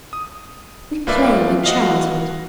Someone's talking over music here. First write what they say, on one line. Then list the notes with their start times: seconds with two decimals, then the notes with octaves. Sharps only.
We play with childhood.
0.13 D#6
1.07 G1 A#3 F4 B4 D5 E5
1.64 F#4 D#5 F5